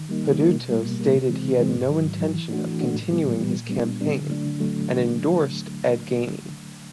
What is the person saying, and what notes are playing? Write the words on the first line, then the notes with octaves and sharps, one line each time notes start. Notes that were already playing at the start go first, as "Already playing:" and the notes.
Peduto stated he had no intention of continuing his campaign and endorsed Ed Gainey.
Already playing: D#3
G3 A#3 D#4
D#3
G3 A#3 D#4
B2
G3 A#3
B2
G3 A#3
C3
E3 G#3 C4
C3
E3 G#3 C4
G#2
D#3 F#3
G#2
D#3 F#3
E3
A3 D4 F#4
E3
A3 D4 F#4
A2
E3 G3 B3
A2
E3 G3 B3
A#2
G3 B3 D4
A#2
G3 B3 D4
D3
F#3 A3 D4
D3
F#3 A3